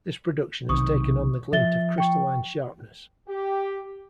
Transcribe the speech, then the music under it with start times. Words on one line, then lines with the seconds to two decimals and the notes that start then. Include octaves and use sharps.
This production has taken on the glint of crystalline sharpness.
0.69 B1 C3 D#3 C#6 D#6
1.53 F3 E5 A6 G7
1.98 G5 C#6
3.28 G4